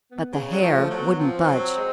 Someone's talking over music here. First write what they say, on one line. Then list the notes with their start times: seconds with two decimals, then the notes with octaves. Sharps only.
But the hair wouldn't budge.
0.11 B3
0.33 C#3
0.47 G3
0.53 F#3 G#3
0.62 F3
0.76 A3
0.91 F#3
0.97 B3
1.19 F3 C4
1.43 F3
1.48 F#3
1.77 G#3